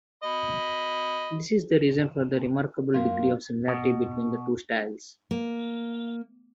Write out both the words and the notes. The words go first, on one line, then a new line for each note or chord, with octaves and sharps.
This is the reason for the remarkable degree of similarity between the two styles.
D#5 B5
F#2 A#3 F4
B2
A#3